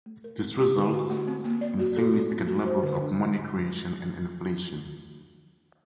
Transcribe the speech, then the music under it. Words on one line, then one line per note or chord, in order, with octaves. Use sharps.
This results in significant levels of money creation and inflation.
A3
A#4
C4
G4
D3
F#4
A3
C4
A#3
D5
F#4
A4
C4
C4
F#4
C5
D3
D4